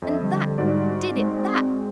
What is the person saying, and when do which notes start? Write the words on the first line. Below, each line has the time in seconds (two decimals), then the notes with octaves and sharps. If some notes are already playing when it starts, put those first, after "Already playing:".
And THAT did it--that!
0.02 F2 D#5 E5
0.20 D3 G3
0.58 G#2 F#4 D5
1.15 G#3 C4